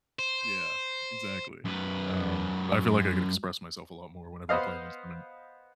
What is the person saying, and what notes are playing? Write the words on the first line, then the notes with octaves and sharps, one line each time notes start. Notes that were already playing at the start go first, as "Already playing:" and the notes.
yeah, exactly, um, I feel, like, I could express myself a lot more whenever I play an instrument.
C5
F#2 B4
B3 C5 D#5 F5